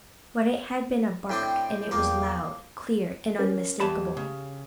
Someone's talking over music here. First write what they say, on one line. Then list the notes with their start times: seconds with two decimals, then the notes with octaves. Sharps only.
But it had been a bark and it was loud, clear, and unmistakable.
1.30 A2 C4 D4 G5
1.91 E2 F3 A#3
3.38 C#4 A#4
3.80 E2 G4 A5 B5
4.17 C#3